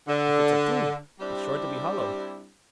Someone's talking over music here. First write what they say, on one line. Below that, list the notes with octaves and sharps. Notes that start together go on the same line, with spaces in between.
"If it's a tube, it's sure to be hollow."
D3
G3 C4 D4 E4 G4